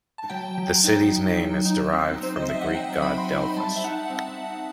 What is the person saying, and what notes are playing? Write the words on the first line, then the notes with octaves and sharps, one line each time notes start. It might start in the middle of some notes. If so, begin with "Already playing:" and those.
The city's name is derived from the Greek god Delphus.
A5
F#3 G5
F#3
D#4
F#3
F#3
D#4
C4
C4 C5
D#5
F#3 E5
F#5
F#3 G5
F#3 B5
C6
D#4 B5
B5
G3 A5
E5
D#4 F#5
C4